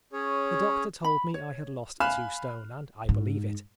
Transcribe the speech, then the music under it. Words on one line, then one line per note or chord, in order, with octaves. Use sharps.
The doctor told me I had lost two stone, and I believe it.
C#4 G#4 C#5
B5
C#5
F5 G#5 B5 F6 F#6 E7
G#2